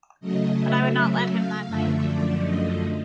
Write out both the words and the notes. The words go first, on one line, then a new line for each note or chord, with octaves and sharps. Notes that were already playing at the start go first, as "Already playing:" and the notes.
But I would not let him that night.
C#3 F#3 A3 D#5
E5
E5
F5
F#2 D3 F3 A3 E5
D5
D#5